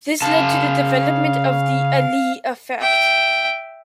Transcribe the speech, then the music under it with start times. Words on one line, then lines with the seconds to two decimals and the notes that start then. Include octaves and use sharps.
This led to the development of The Allee effect.
0.22 C#3 F5 A5
2.81 E5 G5